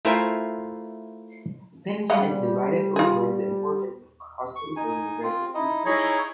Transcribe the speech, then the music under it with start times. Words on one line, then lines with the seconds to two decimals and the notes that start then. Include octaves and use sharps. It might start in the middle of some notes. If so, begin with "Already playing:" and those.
Opinion is divided over the importance of crossover versus mutation.
0.05 A3 E4 F4 A#4 C5 G#5
2.10 G3 G#3 F5 F#5
2.96 F4 G#4
4.56 C#6
4.76 D#4 G#5
5.23 C4 F4
5.55 D#4 E4 D#5
5.86 D#4 E4 G#4 C#5 A#5